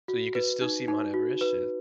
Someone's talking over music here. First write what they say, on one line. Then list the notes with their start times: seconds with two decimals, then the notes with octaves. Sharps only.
so, you could still see Mount Everest, yeah.
0.08 F#4
0.35 B4
0.61 D#4
0.88 D#4
1.14 F#4
1.41 B4